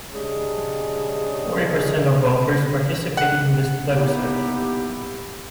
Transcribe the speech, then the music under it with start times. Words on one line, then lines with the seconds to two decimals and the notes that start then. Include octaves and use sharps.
Forty percent of voters participated in the plebiscite.
0.13 C#3 G3 G#3 C4 D4 G#4
3.17 F#5
3.92 A#3 B3 D#4 E4 G4